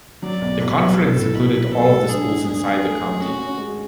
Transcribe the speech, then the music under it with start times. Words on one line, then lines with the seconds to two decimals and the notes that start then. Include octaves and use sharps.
The conference included all of the schools inside the county.
0.22 F#3 D5
0.41 B1
0.60 B1 B4
0.79 F#3
0.97 B1 A4
1.17 A2
1.35 B1 B4
1.54 B1
1.71 F#3 A4
1.90 A3
2.09 D4 G#4
2.28 G#2
2.46 D4 G#4
2.65 D4
2.84 A3
3.02 A3
3.20 C#4 F#4
3.39 C#4
3.58 G#3